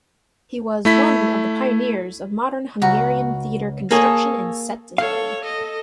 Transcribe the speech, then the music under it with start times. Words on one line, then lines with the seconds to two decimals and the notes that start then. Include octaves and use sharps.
He was one of the pioneers of modern Hungarian theater construction and set design.
0.85 A3 E4 B6
2.82 C#2 F#4 A#5
3.91 A#3 G#4 A4 C#5
4.98 A4 C#5 F5
5.42 A4 D#5